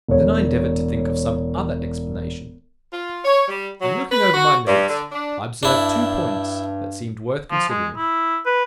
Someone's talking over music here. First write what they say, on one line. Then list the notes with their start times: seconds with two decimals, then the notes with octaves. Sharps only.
Then I endeavoured to think of some other explanation; and looking over my notes I observed two points that seemed worth considering.
0.08 E1 C#5
2.93 F4
3.25 C#5
3.48 G3
3.81 F#3
4.12 B4
4.34 F#4
4.66 G2
4.89 D3
5.11 D4
5.63 G2 D4 E4
7.51 F3
7.69 G#3
7.97 E4
8.46 B4